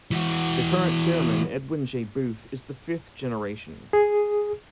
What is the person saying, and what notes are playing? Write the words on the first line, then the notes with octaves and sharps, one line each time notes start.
The current chairman, Edwin J. Booth, is the fifth generation.
E3 F#4
G#4